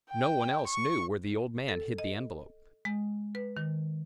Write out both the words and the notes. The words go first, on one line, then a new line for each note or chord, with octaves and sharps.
No one else knew where the old man hid the envelope.
G5
C#6
A4
D#5
G#3
B4
D#3